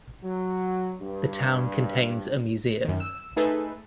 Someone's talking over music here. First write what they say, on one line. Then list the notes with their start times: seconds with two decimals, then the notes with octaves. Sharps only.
The town contains a museum.
0.24 F#3
1.00 G2
2.85 F#2 D#3
3.00 E6
3.36 A3 D#4 G#4 A4 B4 E5